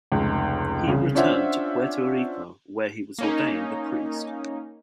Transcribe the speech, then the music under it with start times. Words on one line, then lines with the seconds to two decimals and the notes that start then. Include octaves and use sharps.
He returned to Puerto Rico where he was ordained a priest.
0.12 F1 C#2
0.87 C2 C#3
1.15 C#4 D4 F4 C5 E5 F#5
3.18 A#3 C#4 D#4